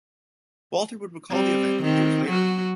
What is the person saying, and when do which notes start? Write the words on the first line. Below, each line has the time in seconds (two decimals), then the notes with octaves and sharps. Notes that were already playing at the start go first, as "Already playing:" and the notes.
Walter would recall the event years later.
1.31 G3 C4
1.83 D#3 C4
2.27 F#3 F#4